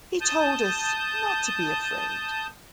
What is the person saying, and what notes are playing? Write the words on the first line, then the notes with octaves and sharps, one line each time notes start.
He told us not to be afraid.
A5 D#6 G6